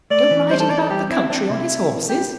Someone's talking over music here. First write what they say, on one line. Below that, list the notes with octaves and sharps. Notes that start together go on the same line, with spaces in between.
Go riding about the country on his horses!
A3 D5
E3
G3 C5
A4
E3 D5
A4
G3 G4
C4 E4
C4 D4
C3 E4
G4